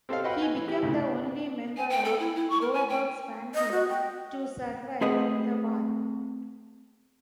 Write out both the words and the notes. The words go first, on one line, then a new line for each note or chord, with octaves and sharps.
He became the only member of Goldberg's family to survive the war.
C4 G4 A4 C#5 D#5 F5
F#4 B4 D#5 F#5 G5 B5
G#5
E3
G4
D2 A2 C#3
G#5
G5
A4
E4
E4
C#6
A#4
G#5
G5
D#5
F#4
G5
A3 C4 G#4 B4 D#5 F#5